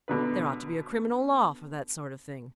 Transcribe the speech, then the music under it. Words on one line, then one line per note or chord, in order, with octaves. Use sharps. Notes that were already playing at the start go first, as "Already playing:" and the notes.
"There ought to be a criminal law for that sort of thing."
B2 D3 B4